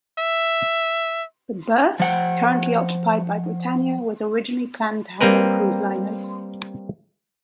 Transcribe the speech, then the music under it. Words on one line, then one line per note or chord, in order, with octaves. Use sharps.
The berth currently occupied by Britannia was originally planned to handle cruise liners.
E5
F3 F#5 G5
G3 A#3 C4 A#4 B4